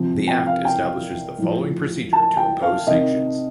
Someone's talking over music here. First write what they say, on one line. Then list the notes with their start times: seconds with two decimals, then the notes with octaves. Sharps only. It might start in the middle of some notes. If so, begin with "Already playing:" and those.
The act establishes the following procedure to impose sanctions.
Already playing: C3 F3
0.27 G5
0.47 F5
0.65 G5
1.38 A2 F3
2.13 A5
2.37 G5
2.62 F5
2.87 C3 D#3 D#5